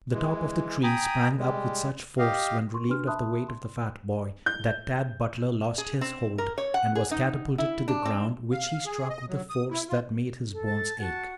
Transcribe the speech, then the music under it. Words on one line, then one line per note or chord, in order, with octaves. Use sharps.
The top of the tree sprang up with such force, when relieved of the weight of the fat boy, that Tad Butler lost his hold and was catapulted to the ground, which he struck with a force that made his bones ache.
E3 G#3
G5 G#5 A#5 B5 D#6
G3 G#3
G4 D#5 F5
A#4 C6 C#6
D4 F#4 B4 C6 F6
E5 A5 B5 C6 D#6 F#6
C6
G6
G#4
C4
A#4
C#5
F#5
G#4
D#4
E4
D4
C4
F5
G#4
D#5
F#3
D#6
E4
F4
A4
A5
F#4 F#5 A5